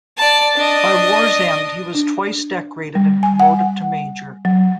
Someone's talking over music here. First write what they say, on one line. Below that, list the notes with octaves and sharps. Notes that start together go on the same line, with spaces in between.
By war's end he was twice decorated and promoted to major.
D5 A5
D4 D#5
D4
G3
G#5
F#5
F#3